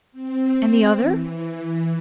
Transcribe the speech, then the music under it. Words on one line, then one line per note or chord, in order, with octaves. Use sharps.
"And the other?"
C4
E3